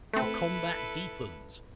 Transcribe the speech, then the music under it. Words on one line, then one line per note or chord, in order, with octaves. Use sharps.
The combat deepens.
A3 C4 E4 A4 B4